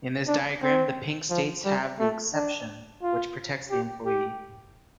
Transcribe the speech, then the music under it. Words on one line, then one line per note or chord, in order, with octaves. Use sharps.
In this diagram, the pink states have the 'exception', which protects the employee.
D4
C4
F3
G3
A3
D4
F4
G4
G4